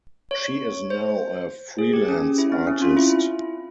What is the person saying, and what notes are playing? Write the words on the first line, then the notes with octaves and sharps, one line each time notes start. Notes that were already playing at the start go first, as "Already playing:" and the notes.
She is now a freelance artist.
C#5
C5
G#4
G4
C#4
E4
C4
C#4
F4
E4